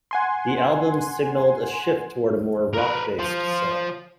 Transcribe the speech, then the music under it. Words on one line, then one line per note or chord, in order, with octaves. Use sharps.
The album signaled a shift toward a more rock-based sound.
F#5 G#5 C6
A#4 B4
F4 C5